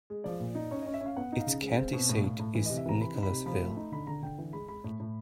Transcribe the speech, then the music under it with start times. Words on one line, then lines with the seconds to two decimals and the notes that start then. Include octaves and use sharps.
Its county seat is Nicholasville.
0.10 G#3
0.24 F3 D5
0.40 A#2
0.55 D#4
0.71 C#4 C#5
0.82 C#4 D#5
0.94 E5
1.01 C#4
1.06 F5
1.17 B3 F#5
1.32 D#4
1.40 F5
1.47 C#3
1.62 G#3
1.78 C4
1.93 B2
2.09 A2
2.24 A2
2.39 A2
2.55 E3
2.66 C3 D#5
2.77 E5
2.86 E3 A#5
3.00 C3 B5
3.15 D#4
3.23 B5
3.30 C3
3.46 F3 B5
3.62 A3
3.77 D#4
3.92 D3 B5
4.07 D3 A#5
4.22 D3 G5
4.38 E3
4.53 G#3 B5
4.68 G#3 B5
4.84 A2
5.00 A2